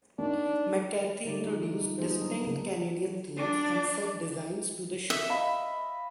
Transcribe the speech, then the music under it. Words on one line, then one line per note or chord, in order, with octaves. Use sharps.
McCarthy introduced distinct Canadian themes and set designs to the show.
D#3 D4
D3 D#3 G3 A3 D#4 D5
G#3 D#4 F4
G3 D#4
F#3 A#3 B3 D#4 G#4 C5
D4
C#3 A#3
D4 D5
E5
D#5 F5 B5